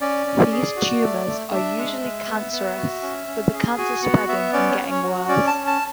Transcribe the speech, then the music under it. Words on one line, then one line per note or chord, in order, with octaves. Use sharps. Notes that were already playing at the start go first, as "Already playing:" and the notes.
These tumors are usually cancerous, with the cancer spreading and getting worse.
C#4 D5
C#4
G#4
F#4
A3
A3
D4 E5
G#3
G#3
B3
B3
F#4
C#4
C#4
G#4
F#4 G#5
B3 F#5
B3 E5
C#4 D5
C#5
C#4
C#5
F#4
C#4 D5
A5
C#4
A5